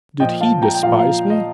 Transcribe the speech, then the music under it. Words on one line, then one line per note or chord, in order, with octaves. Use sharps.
Did he despise me?
A#2 F3 D#5 G5
F5 A5
G5 A#5
G5
A#2 F3 F5
F5
D#5